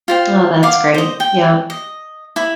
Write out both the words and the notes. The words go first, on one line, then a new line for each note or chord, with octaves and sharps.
Oh, that's great, yep,
F4 C5 G5
F5 F#5 D6
C5 D#5
G5
D#5
E4 B5